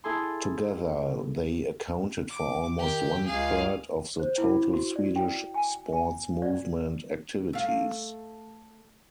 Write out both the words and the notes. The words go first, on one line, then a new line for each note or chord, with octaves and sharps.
Together, they accounted for almost one third of the total Swedish sports movement activities.
E4 G#4 A4 G#5 C6
D6
D#3 G4 G5
C#2 G#4 F5
C5
E4
F#4
D5
G5
G#5
G#5
D5
A3 F5